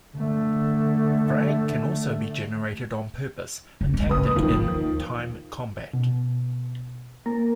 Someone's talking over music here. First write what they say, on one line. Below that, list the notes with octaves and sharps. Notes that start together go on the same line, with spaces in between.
Frag can also be generated on purpose, a tactic in "time combat".
D3 A3
F#1
G#2
F#1 A#3 B4 D#6
D#3 F3 F#3
D#2
B2
A#3 A#4